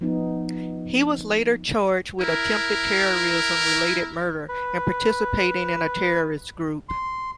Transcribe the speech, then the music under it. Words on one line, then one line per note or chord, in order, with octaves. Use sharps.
He was later charged with attempted terrorism-related murder and participating in a terrorist group.
F3 B3 D#4
E4 A#4
B4
C6